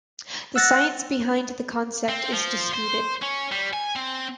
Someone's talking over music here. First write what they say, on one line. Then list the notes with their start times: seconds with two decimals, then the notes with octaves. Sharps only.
The science behind the concept is disputed.
0.56 F#5 E6 A6 A#6
2.09 C4
2.33 F3
2.74 C5
3.22 C#4
3.52 G3
3.73 G#5
3.96 C4